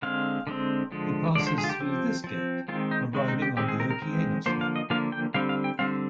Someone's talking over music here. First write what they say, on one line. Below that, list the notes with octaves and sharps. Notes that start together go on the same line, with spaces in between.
He passes through this gate, arriving on the Okeanos level.
D3 G#3 C4 F5
D3 G#3 C4
D3 F3 G#3
D3 F3 G#3 D5
C5
G#4
F4
G4
F3 C4
F3 C4
D#3 G#3 C4 F4
D#4
D#3 G#3 C4
D#4
G4
D#3 G#3 C4 G4
G#4
A#4
A#4
D#3 G#3 C4
D3 F3 A#3 C5
F5
D#5
D3 F3 A#3 F5
G5
D3 G3 C4 F5
F5
G5
D3 G3 C4 F5